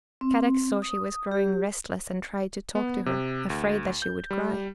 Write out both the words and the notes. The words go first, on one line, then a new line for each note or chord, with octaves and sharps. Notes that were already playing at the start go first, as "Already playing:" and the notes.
Kadok saw she was growing restless and tried to talk to her, afraid that she would cry.
C4
D#6
G4
B3
C3
D2
G6
G3